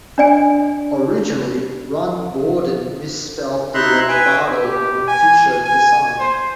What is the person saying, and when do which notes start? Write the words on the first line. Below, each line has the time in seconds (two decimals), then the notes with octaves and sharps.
Originally, Rand Borden misspelled the word "battle" on a T-shirt design.
0.18 D4 D5 G#5
3.74 D#4 E4 E5 A#5 C6 F#6
4.09 B4 E5 G5 G#5
4.64 G4
5.08 G#5
5.64 G#5
6.19 C5